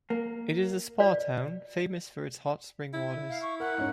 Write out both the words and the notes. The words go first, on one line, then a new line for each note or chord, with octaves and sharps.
It is a spa town, famous for its hot spring waters.
A#3
D5
E4
F5
C#6
A#4 F#5
G#2 C#4